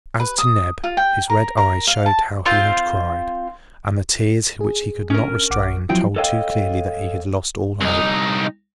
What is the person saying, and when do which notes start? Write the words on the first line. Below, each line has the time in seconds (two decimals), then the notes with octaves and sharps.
As to Neb, his red eyes showed how he had cried, and the tears which he could not restrain told too clearly that he had lost all hope.
0.20 B4
0.38 D#6
0.84 F4
0.97 G5
1.30 A#4
1.57 A#4
1.87 F5
2.06 A5
2.45 C4 F4 C5
4.61 G#4
5.10 C#4 A#4
5.50 A#1 F#5 D6
5.89 F3 F#3 C4 E4 G5
6.16 A4 C#5 D#5 F5 G5
7.81 C2 D#4